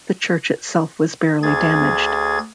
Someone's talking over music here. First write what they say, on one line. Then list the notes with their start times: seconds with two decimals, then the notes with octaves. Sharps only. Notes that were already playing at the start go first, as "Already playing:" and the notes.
The church itself was barely damaged.
1.43 D2 G#4 G#6 A6